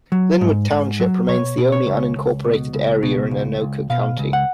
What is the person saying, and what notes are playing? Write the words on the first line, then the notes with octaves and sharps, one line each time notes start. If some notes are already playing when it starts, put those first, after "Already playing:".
Linwood Township remains the only unincorporated area in Anoka County.
F#3
G#2
G#2
F#3
B2 C#5
B2
C#5
C#2
C#2
B2
C#2
B2
C#2
C#2
B2 F5
C#2
F#5